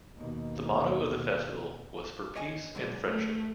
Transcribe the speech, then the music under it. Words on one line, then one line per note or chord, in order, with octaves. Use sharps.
The motto of the festival was For Peace and Friendship.
D#2 B2
C#5 D#5 G#5
D3 F#3 G#3
A3